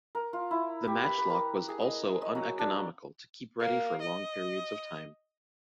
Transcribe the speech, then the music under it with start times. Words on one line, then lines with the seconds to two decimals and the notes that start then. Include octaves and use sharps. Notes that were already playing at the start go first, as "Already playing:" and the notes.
The matchlock was also uneconomical to keep ready for long periods of time.
0.15 A#4
0.33 F4
0.51 E4
0.87 G4
1.04 B4
1.18 B4
1.30 A#4
1.68 G#4
1.82 D#5
2.22 D#5
2.35 F#3
2.59 D4
3.60 A#3
4.01 D#5